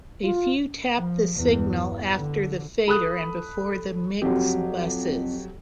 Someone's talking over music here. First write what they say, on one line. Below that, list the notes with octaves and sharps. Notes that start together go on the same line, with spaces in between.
A few tap the signal after the fader and before the mix buses.
F4
F3
E2 G2
D3
A4 B5 D#6 F#6
F2 F#3 G4